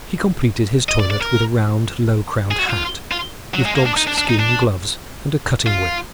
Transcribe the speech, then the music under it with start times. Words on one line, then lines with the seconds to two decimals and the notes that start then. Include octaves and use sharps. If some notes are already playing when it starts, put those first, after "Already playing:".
He completed his toilet with a round, low-crowned hat, with dog's-skin gloves, and a cutting whip.
0.89 D#5
1.00 D5
1.11 D5
1.21 A#4
2.51 G#4
2.59 F#4
2.70 F4
3.12 F4
3.54 F#3
3.65 G#3
3.75 A#3
3.86 D4
3.97 D#4
4.07 D4
4.18 D4
4.29 D#4
4.39 D4
5.67 F4